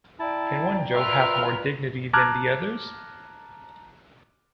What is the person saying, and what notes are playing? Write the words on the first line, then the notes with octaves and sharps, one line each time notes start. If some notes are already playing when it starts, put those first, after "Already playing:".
Can one joke have more dignity than the others?
E4 D5 G5 A5 A#5
F4 A#4 B4 E5 F6
A5 A#5 D6 F6 F#6 G#6